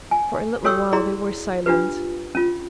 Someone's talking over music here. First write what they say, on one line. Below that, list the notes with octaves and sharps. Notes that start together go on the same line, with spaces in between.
For a little while they were silent.
G#5
F#4 A4 C#5 G5 C#6 E6
E4 G#4 D5 A#5 C6
D4 F4 G4 B4
C#4 F4